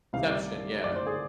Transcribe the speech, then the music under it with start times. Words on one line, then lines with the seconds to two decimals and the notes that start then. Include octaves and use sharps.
Inception. Yeah.
0.13 C2 C3 D#3 G3 F5
0.30 D5
0.84 D5
0.96 C5
1.06 G#4